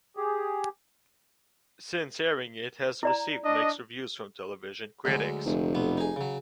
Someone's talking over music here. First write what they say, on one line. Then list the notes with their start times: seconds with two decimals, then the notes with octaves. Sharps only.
Since airing, it has received mixed reviews from television critics.
0.17 G4 G#4
3.03 E4 D5 A#5
3.45 D4 D#5
5.05 D2 F#3 G#3
5.46 F1
5.75 B1 B3
5.97 D#4 G#4
6.16 C#3 F#3